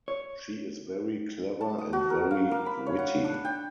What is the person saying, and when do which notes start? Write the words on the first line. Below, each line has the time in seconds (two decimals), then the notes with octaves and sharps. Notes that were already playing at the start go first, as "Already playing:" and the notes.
She is very clever and very witty.
0.08 C#5
1.61 A5
1.79 D#6
1.93 F#4
2.10 A#4
2.31 F5
2.51 A#3
2.66 B5
2.86 C#5
2.99 F#5
3.24 D4
3.45 G5